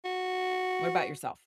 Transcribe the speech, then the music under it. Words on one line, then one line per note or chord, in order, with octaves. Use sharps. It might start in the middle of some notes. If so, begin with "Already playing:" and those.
What about yourself?
F#4